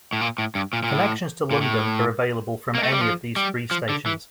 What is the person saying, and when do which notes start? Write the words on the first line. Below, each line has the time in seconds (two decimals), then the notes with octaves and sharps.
Connections to London are available from any of these three stations.
0.13 A2
0.21 A#2
0.38 A2
0.55 G2
0.73 A#2
0.84 A#2
0.90 A2
1.51 A#2
1.61 A2
2.75 A#3
2.83 A3
2.92 G3
3.01 F3
3.36 G3
3.71 F3
3.89 D3
4.06 E3